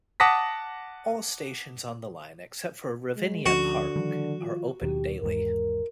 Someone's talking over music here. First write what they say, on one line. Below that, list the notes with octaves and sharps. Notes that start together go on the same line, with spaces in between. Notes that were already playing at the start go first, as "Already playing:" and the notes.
All stations on the line except for Ravinia Park are open daily.
F#5 A5 D6 D#6 A#6 B6
G#3
D2 D3 F3 C#4 F#4
D#3 F3 G3
F4
D#2 B2 D#3 G4
G#1 E2 G#2 A#4